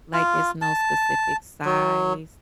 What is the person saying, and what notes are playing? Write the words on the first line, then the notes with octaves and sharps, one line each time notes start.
Like, it's no specific size,
F4
A5
F#3